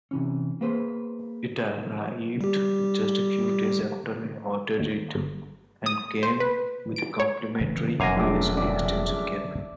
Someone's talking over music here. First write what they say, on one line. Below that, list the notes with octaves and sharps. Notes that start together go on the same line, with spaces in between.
It arrived just a few days after I ordered it, and came with a complementary USB extension cable.
C3 E3 C#4
A#3 B3 G#4 B4 C5
G3 G4
D#2
G1
D#6
C5
B4
D7
C#5
C#3 E3
F1 F#2 B2 F5 G#5 D6 A#6
A#1 A3 D6
D4 D5 E5